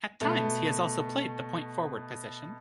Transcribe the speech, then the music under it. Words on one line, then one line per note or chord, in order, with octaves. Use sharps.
At times he has also played the point forward position.
B2 A3